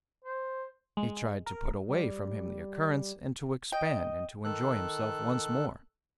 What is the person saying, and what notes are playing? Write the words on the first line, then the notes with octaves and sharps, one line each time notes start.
He tried to put away from him the occurrence, and to expand, and to enjoy himself once more.
C5
G#3
A#4
G3
D#5 G5
D#3 A4 F#6